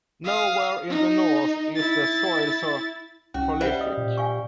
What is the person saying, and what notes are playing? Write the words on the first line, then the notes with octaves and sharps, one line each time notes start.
Nowhere in the North is the soil so prolific.
F5 D#6
D#4
E4 A6
C2 C#4 F#4
G3 C5 E5 F#5
D#5 F5 D#6
A#2
F5 G#5 C#6